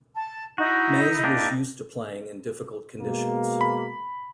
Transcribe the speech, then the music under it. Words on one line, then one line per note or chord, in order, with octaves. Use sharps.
Mays was used to playing in difficult conditions.
A5
D#4 E4 F#4
A#3 D4 G4
B2 G#3 A#3
B5